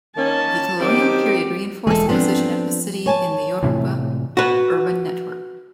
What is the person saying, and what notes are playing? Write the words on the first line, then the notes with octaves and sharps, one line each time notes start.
The colonial period reinforced the position of the city in the Yoruba urban network.
D#3 A#3 C#4 A5
D#3 F#3 C4 G4 D6
E1 E3 G#3 G#4 A4
F3 B3 C4 D4
C#5 G#5 A5
A2 C3 E3
F#4 B4